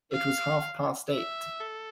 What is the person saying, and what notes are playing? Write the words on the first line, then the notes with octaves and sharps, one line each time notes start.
It was half-past eight.
F5
E5
A4